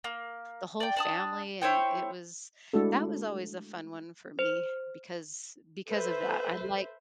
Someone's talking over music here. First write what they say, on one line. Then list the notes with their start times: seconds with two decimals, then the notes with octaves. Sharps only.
the whole family, and it was that was always a fun one for me because because of that, I'd like
0.04 A#3
0.80 D5 G5
0.96 D4 A5 D#6
1.62 E4 C5 C#5 G5
2.73 G#3 A3 D4 E4 F#4 A4
4.39 C5
5.88 A4 B4 C5 E5